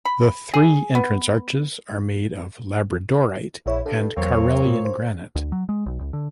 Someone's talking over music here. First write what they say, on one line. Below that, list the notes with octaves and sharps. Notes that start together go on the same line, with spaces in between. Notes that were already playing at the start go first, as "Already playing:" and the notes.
The three entrance arches are made of labradorite and Karelian granite.
B5
G#4
B3
A#1 E2 E4 C#5
G2 A4
E2 F#3 A#3 C4 C#5
A2 F4
C5
D2
F#3
G#3
B1
C#2
D3